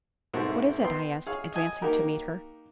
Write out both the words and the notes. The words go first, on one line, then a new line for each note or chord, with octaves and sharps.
"What is it?" I asked, advancing to meet her.
C2 G#2 B2 G#3 A3
B3 G5 C6
G#4 C#5 F5
D#5 G#5 D#6
A#3 D#4 F#4 G4 A#4